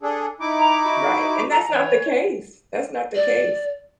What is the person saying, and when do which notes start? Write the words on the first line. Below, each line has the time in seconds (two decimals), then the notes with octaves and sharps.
Right, and that's not the case. That's not the case.
0.03 D4 G#4 A4
0.40 D#4 E4 D6
0.59 A#5
0.84 F#4
1.50 A4 A#5
1.71 E3 C#5
3.15 D5